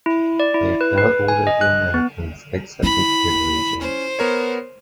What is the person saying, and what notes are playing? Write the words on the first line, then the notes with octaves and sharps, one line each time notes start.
They occur all over the Americas except in polar regions.
E4
D5
E4
B4
B4
G#5
D#5
F#6
B3
E4 B5
C#4 C5
B3 A#4 C#5